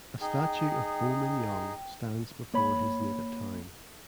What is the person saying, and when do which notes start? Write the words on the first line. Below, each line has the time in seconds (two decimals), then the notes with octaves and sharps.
A statue of Bo Min Yaung stands before his native town.
0.21 D#4 G#4 G5
2.54 A#3 C#5 B5